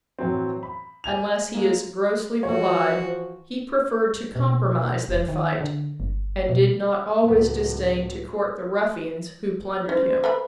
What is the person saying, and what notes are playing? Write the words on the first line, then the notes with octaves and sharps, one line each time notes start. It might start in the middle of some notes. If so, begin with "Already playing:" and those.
Unless he is grossly belied, he preferred to compromise than fight, and did not always disdain to court the ruffians who plundered him.
A2 E3 F#3 C4
B5
G#5 G#6 F7
G#3 A#3
E3 F3 F#4 C5 C#5
B2
F1
D#3
D3
G1
B2
C#2 A2 F#3 B3 A#4
C#4 C5
A3 B4 B5